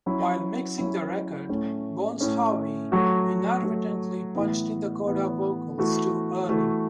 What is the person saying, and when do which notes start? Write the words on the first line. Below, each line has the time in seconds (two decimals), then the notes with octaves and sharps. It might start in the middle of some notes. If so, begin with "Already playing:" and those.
While mixing the record, Bones Howe inadvertently punched in the coda vocals too early.
0.06 F#3 C#4 E4
0.78 F#3 C#4 E4
1.49 A2 A3 C#4
2.20 A2 A3 C#4
2.92 F#3 A3 F#4
3.64 F#3 A3 F#4
4.35 A2 E3 B3
5.06 A2 E3 B3
5.78 E3 A3 F#4
6.49 E3 A3 F#4